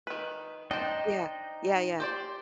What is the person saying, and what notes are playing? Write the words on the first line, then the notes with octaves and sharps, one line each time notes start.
Yeah. Yeah, yeah.
D#3 B4
D4 D#4 C5 D#5 G5
G4 C5 D5